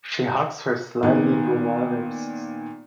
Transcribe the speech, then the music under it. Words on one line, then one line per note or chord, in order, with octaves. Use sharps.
She hugs her slightly bewildered sister.
A#2 D#3 B3